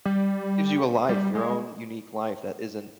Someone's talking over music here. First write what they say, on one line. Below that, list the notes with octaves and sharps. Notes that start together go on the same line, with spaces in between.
gives you a life, your own unique life that isn't
G3
G3
G#3